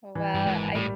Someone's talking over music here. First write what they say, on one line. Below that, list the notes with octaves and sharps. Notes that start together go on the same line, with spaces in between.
Well, I
E3
G2
G#1 G#2
A2 G3